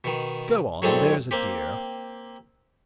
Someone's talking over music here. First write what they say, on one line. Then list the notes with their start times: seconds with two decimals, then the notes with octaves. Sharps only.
Go on, there's a dear.
0.04 B2 D#3
0.82 F#2 A2 F#3 G#3 C4 D4
1.31 A#3 C4 G4